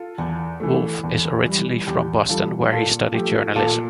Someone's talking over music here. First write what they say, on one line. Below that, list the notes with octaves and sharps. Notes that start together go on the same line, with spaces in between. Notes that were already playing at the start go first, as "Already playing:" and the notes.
Wolf is originally from Boston where he studied journalism.
Already playing: F4 A4
E2
E3 A3
E2
E3 G3
E2 G4
E3 G3 F4 A4
A#2 F4 A4
F3 A3 G4
A#2 F4 A4